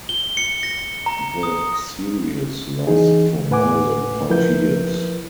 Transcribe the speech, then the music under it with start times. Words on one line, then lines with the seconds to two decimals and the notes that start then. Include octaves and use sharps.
The series lasted for more than five years.
0.09 G7
0.37 C#7
0.63 A#6
1.06 A#5
1.43 D#6
2.87 E3 D#4 G#4
3.51 A2 B4 F#5 G#5 D6
4.30 F3 E4 A#4 B4 G6